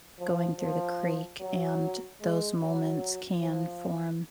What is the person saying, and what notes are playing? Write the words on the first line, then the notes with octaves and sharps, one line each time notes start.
going through the creek, and those moments can form
F3
F3
F#3
G#3
F#3
F3